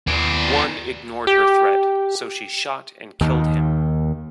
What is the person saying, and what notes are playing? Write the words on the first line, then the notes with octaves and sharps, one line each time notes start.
One ignored her threat, so she shot and killed him.
D#2 B3 D5
G4
D#2 D#3